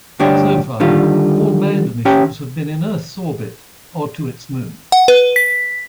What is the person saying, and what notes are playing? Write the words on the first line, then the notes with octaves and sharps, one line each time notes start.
So far, all manned missions have been in Earth's orbit or to its Moon.
D2 G2 D4 G4 C#5
D3 D#3 G3 F4
C#4 G4 C#5 G5
F#5
B4
B6